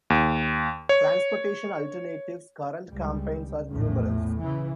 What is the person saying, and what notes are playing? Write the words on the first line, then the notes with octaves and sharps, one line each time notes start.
Transportation Alternatives' current campaigns are numerous.
D#2
C#5
C#2 G3
A#1 E2 A2
C#3 E3